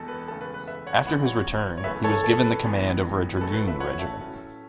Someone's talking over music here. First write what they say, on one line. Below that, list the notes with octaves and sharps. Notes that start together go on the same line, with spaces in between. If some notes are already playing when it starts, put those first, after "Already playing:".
After his return, he was given the command over a dragoon regiment.
Already playing: E1 E2 B2 A3 A4
B4
E1 E2 C#3 A3 A4
B4
B4
B4 E5
C#5 F#5
B1 A2 E3 B3 E4 F#5 B5
C#5 F#5
C#5
F#2 C#3 E3 A3 B4 E5
A4 C#5
A4
B4
E1 E2 E3 B3
B4
A2 F#3 A3 A4
B4
B4 E5
C#5 F#5
E5 A5
A2 F#3 A3 C#4